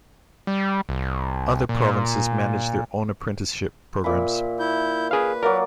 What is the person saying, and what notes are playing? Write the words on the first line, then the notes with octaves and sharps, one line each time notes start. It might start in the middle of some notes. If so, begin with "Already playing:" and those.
Other provinces manage their own apprenticeship programs.
G3
C2
A#2
A#2 E5 B5
E4 G6
G#4 B4 F5
F#3 A#3 A#4 D5